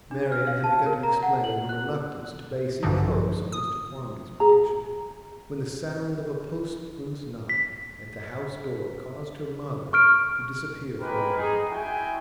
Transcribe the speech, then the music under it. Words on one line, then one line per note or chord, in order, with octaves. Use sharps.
Marian had begun to explain her reluctance to base any hopes on Mr Quarmby's prediction, when the sound of a postman's knock at the house-door caused her mother to disappear for a moment.
D4
F6
F5
A5
A#4
A#5
F#5
F#7
F#6
A#1 G2 D3 E3 F3
D#6
G#4 A#5
B6
C#6 F6 D7
G#3 G4 A#4 B4
D#4 G#4
C4 E4 F#4 G5 G#5